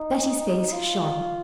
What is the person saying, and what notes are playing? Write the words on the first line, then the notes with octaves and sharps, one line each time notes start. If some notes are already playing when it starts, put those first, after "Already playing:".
Betty's face shone.
Already playing: D#4
F4